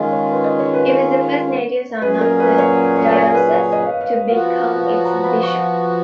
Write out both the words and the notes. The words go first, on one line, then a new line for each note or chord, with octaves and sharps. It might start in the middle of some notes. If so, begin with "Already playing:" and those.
He was the first native son of the diocese to become its bishop.
Already playing: D#3 G#3 C#4 F4 D#5
C#5
B4
D#5
C#5
B4
C#5
A#2 F#3 C#4 G#4 B4
A#4
B4
C#5
C#5
C#5
B4
C#5
D#5
F5
F5
F3 B3 F#4 F5
C#5
A#5
B5
C#6